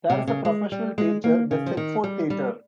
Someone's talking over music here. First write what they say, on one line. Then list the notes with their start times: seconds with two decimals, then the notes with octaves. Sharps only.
There is a professional theatre, the Seckford Theatre.
0.10 C3
0.27 C#3
0.45 G#3
0.72 G3
0.98 G#3
1.24 A#3
1.51 C#3
1.66 F3
1.77 D#3
2.04 G3
2.30 G3